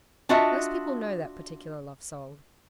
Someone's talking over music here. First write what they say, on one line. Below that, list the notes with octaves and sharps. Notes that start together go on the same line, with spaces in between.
Most people know that particular love-song.
D4 F4 F#4 D#5 E5 A5